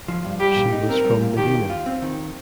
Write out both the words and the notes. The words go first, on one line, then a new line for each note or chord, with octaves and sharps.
She was from Medina.
F3
G2
G3 G4
A#2
D#4
C4 A#4
G3
A#2
D#3 G4
D#2
F4
C4
D#3